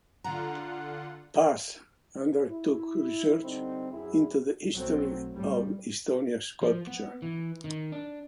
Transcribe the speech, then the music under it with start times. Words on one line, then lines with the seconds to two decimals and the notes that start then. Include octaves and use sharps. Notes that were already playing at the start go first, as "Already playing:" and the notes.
Paas undertook research into the history of Estonian sculpture.
0.24 D3 F4 F#5 A#5
2.48 E4
3.42 D3 G3 C4 D#4
3.91 F#2 E4 G#4
4.72 B1 F#3 A3 C4
5.34 A2 G3
6.62 F3
6.87 B3
7.22 E3
7.64 D#3
7.92 D4